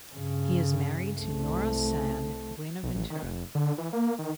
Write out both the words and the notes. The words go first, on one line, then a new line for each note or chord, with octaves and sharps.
He is married to Nora San Buenaventura.
G2 C#3
C2 A3
B1
A1
D#3
F1
D3
E3
A#3
D#3